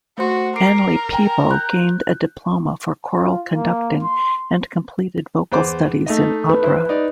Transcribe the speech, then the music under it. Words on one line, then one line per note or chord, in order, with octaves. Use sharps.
Annely Peebo gained a diploma for choral conducting and completed vocal studies in opera.
A3 F#4 C5 C6
A#4 D6 C7 D7
G5 G#5 A#5
F#6 G6
F4
A#3
C6
E2 C5 D6
A3 D#4 D#5
B4
E4 C5
D#4 D5